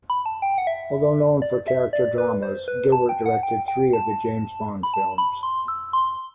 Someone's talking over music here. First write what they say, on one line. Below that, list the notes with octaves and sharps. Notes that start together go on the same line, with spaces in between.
Although known for character dramas, Gilbert directed three of the James Bond films.
B5
A5
G5
F#5
E5
D5
E5
D5
B4
C5
B4
A5
G5
F#5
G5
G5
A5
B5
A5
B5
C6
E6
C6